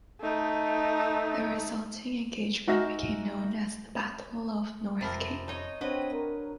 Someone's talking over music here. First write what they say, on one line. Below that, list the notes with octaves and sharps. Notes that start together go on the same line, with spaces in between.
The resulting engagement became known as the Battle of North Cape.
A3 D#4
D#4 F#4 E5 G#5 F6 A#6
F2 C3 F3 A#4 B5 A6
D#4 C#5 D#5
C4 D4 F#4 B4 C#5 D#5
A#4